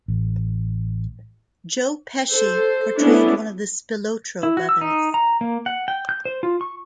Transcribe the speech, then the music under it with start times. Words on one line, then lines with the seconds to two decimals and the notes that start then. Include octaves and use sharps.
Joe Pesci portrayed one of the Spilotro brothers.
0.08 A1
2.31 A4 C5
2.99 A3 B3 C#4 D4 E4
4.43 E4
4.57 F#4
4.69 E6
4.81 D#4
5.14 A#5
5.41 A#3
5.66 F#5
5.88 G5
6.09 G6
6.25 C5
6.43 F4
6.61 C#6